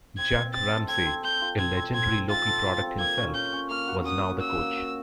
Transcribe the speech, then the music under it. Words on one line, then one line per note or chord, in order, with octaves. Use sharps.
Jack Ramsay, a legendary local product himself, was now the coach.
C4 G#6
C4
C4 A6
A4
C4 G#6
C4
C4 G6
F4
C4 G#6
C4
C4 G#6
C4
F4 A6
A4
F4
C4
A#3 G#6
C#4
C#4 G6
C#4
A#3 F6
F#4
C#4 D#6
A#3
A#3 E6
A#3
F#4